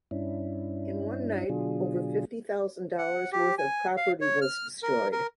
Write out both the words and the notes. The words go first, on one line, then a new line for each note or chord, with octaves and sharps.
In one night over fifty thousand dollars' worth of property was destroyed.
G2 C#4 D4 E4
B2 D3 F#3 D4 F4 G#4
F#5
G4
G#5
F5
C#5
F6
A#4
A#4